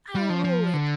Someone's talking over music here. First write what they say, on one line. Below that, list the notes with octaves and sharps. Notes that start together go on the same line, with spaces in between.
"I'll rule it!"
G3
F3
F3
D3